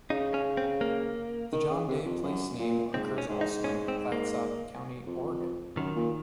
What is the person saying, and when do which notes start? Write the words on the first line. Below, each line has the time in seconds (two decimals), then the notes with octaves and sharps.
The John Day place name occurs also in Clatsop County, Oregon.
0.10 C#3 D#4
0.34 C#4
0.57 C4
0.81 A#3
1.52 D#3
1.70 C#3
1.88 C3
2.05 F2
2.23 F#2
2.59 A#2
2.94 G#2 C4
3.18 C#4
3.29 G#2
3.41 D#4
3.64 C#4
3.88 C4
4.12 A#3
5.06 F2
5.77 F#2 D#3
5.95 A#2